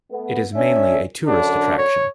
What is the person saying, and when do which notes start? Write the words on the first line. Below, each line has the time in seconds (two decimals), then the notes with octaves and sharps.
It is mainly a tourist attraction.
0.11 A3 B3
0.55 C#4 D4 E5
1.27 F#2 D3 D4
1.78 C#5